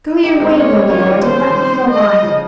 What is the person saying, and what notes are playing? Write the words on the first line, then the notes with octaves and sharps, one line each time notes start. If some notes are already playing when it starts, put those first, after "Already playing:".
'Go your way, noble lord, and let me go mine.
D#4 G4
G#3 C4
A#3 C#4 C#5
C4 D#4
C#4 F4 C#5
D#4 G4
C#4 F4
F3 G#3
D#3 G3 C5
F3 G#3
D#3 G3
D#5
C#3 F3